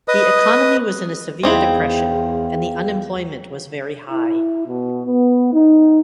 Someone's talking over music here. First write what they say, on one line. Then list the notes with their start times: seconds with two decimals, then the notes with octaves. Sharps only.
The economy was in a severe depression and the unemployment was very high.
0.08 B4 D#5 D#6
1.43 E2 C4 D#4 E4 G#4 F5 G5
4.10 E4
4.67 B2
5.06 B3
5.53 D#4